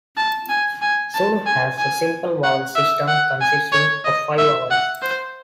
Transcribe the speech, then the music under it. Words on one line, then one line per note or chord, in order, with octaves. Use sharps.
Zulu has a simple vowel system consisting of five vowels.
A5
G#5
G#5
A5
G#5
G#5
F#5
E5
F#5
G#5
C#5
D#5
E5
F#5
C5